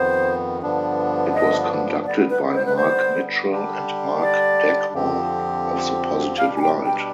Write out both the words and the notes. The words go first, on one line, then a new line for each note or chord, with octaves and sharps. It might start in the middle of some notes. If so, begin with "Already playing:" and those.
It was conducted by Marc Mitchell and Mark Daghorn of The Positive Light.
Already playing: F2 D#3 B3 C5
G2 D3 F3 B3 D4
D#5
D3 G3 B3 D5
B4
C5
B4
C5
D3 G3 D4 G4
D5
F2 D3 F3 C4 G4
B2 G3 D4 G4 F5
G#5
G5
G5